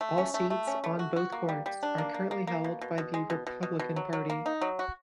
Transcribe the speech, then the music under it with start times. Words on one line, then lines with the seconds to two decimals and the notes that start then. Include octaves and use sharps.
All seats on both courts are currently held by the Republican Party.
0.01 A3
0.18 C#4
0.34 A3
0.50 A3
0.67 C#4
0.84 A3
0.99 F#4
1.16 F#4
1.32 A#3
1.49 G3
1.66 G3
1.83 D4
1.98 A#3
2.14 A#3
2.31 A#3
2.47 A#3
2.64 B2
2.81 B2
2.98 B2
3.14 G#3
3.30 B2
3.47 B2
3.63 B2
3.79 B2
3.96 F#3
4.13 F#3
4.30 A#3
4.46 D#4
4.61 F#3
4.79 F#4